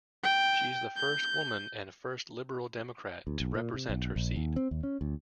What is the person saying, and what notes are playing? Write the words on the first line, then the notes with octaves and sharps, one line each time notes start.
She is the first woman and first Liberal Democrat to represent her seat.
G5
G6
D2
B1
A#2
C3
B1
A#1
D#2
C4
D#2
C#4
D2